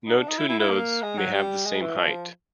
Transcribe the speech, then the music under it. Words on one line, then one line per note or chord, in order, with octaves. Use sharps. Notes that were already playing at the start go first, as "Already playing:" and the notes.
No two nodes may have the same height.
D#4
D4
D#4
E4
E4
E4
A#3
G#3
F#3
G3
G#3
E3
F3